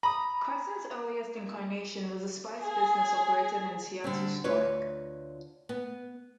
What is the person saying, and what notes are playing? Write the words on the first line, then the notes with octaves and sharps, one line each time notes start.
Crescent's earliest incarnation was a spice business operated in a Seattle store.
A#5 B5 D#6
G#4
D3 G3 C4
D2 F4 B4 C#5
B3